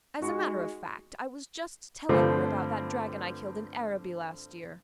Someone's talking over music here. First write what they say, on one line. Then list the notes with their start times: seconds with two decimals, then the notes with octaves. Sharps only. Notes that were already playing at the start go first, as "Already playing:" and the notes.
"As a matter of fact I was just telling her about that dragon I killed in Araby last year."
0.21 G#3 D#4 F#4 C#6
2.09 G2 D3 F3 A3 C4